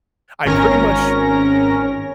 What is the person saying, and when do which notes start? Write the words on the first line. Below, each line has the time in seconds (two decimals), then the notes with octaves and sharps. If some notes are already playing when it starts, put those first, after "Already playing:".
I pretty much
0.45 G#1 C#4 A#4 C#5 A#6